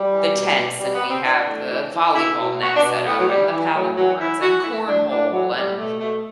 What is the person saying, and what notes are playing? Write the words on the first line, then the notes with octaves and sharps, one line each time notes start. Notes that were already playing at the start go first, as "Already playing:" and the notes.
the tents and we have the volleyball net set up, and the paddle boards, and cornhole, and,
Already playing: G3
E3
B2
B2
B2 G3
B3
B2
C4
E3 D4
A2
E3
E3
B2 E4
B2
B2 F#4
D4
B2
A2 B3
F#3
E3 G3
E3
A2 F#3
E3 F#3
E3 E4
E3 F#4
A2 E4
A2 D4
A2 D4
E3 F#3
A2 G3
B2 A3
B2 A3